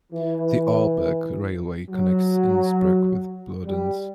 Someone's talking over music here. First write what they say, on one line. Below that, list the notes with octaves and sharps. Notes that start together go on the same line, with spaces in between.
The Arlberg railway connects Innsbruck with Bludenz.
E3
F#3
G3